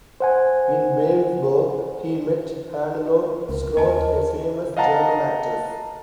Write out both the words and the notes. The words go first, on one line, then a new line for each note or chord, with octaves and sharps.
In Babelsberg he met Hannelore Schroth, a famous German actress.
C5 F#5 G#5
C#2 A#4
D#2 D#5 G#5 A5
D#5 F5 F#5 A5 A#5